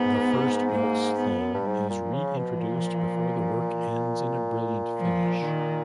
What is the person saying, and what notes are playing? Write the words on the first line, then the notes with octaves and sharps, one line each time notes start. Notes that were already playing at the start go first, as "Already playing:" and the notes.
The first waltz theme is re-introduced before the work ends in a brilliant finish.
Already playing: G#2 B3
A#3
B3
F2
F#2
G2
G#2 G3
A#2
C#3 F3
B2
A#2
F3
D#3